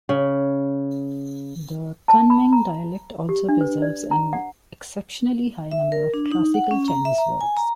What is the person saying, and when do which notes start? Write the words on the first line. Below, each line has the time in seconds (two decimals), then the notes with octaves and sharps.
The Kunming dialect also preserves an exceptionally high number of classical Chinese words.
0.09 C#3
2.08 A5
2.30 B5
2.53 A#5
3.29 G4
3.49 D4
3.61 B4
3.82 D5
4.11 A#5
4.33 F#5
5.71 E5
5.92 A#4
6.14 D4
6.32 D#4
6.54 F#5
6.71 C#4
6.88 A#5
7.05 E5
7.18 A#5
7.41 G#5
7.57 A#5